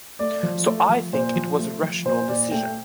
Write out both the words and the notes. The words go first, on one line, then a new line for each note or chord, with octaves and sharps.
So I think it was a rational decision.
A3 D5
F3
A3
F3
A#2 C5
F3
A3
F3
A#2 C5
A#2 D5
A3 G5